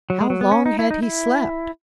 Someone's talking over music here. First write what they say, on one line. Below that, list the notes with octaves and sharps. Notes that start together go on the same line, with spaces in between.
How long had he slept?
F#3
G#3
F#3
B3
C#4
D#4
E4
D#4
E4